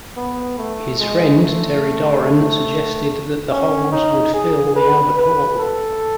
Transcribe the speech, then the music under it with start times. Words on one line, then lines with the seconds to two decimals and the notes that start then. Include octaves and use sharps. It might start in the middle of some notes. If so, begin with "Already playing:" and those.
His friend Terry Doran suggested that the holes would "fill" the Albert Hall.
0.17 B3
0.58 A3
1.00 G#3
1.42 A3
3.51 C#4
3.92 D#4
4.34 G#4
4.76 B4
5.18 B4
5.59 A4